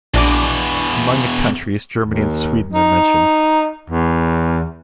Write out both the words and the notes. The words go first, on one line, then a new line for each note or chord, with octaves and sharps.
Among the countries Germany and Sweden are mentioned.
A#1 E2 B2 D4 D6
D#2
D#4
E2